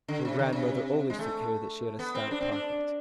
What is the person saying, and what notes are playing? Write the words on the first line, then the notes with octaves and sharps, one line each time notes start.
Her grandmother always took care that she had a stout pocket.
D3
C3
D3
C3
G#3
A3
B3
C4
D4
C4
D4